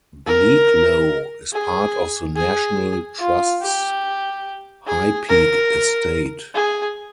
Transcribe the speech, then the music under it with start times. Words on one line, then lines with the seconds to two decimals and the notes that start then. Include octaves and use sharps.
Bleaklow is part of the National Trust's High Peak Estate.
0.27 A#4
1.52 G#4
2.36 G#4
3.19 F4
3.62 G4
4.87 G#4
5.29 A#4
6.54 G#4